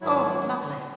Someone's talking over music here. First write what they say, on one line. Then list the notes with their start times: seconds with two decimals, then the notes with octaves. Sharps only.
Oh, lovely.
0.01 G#2 D#3 F#3 E4
0.70 C#4